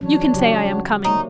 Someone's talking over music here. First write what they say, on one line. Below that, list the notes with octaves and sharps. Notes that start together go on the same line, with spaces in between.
You can say I am coming.'
E3 F#3 C#4 D4 C#5
C#3 F#3 G4
F#4
C3 A#3 D#4 C#5